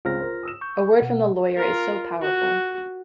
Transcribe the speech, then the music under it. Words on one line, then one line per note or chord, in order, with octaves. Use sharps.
A word from the lawyer is so powerful.
C#2 C4 F4 F6 A#6
A#4 C5
D#6 E6 E7
C#6 G6
B2 F#5
F4 A#4
F#4